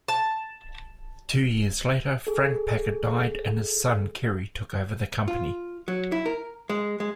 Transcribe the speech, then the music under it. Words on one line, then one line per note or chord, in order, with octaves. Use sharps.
Two years later, Frank Packer died, and his son Kerry took over the company.
A5
G#4 A4
F4
F#3
E4
A#4
G#3
G#3